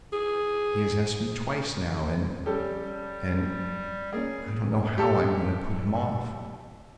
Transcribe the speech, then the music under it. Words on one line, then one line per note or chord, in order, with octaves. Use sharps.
He has asked me twice now and--and--I don't know how I am going to put him off.
G#4
G3 C#4 G4 A4
A#3 C#4 G#4
G4 A4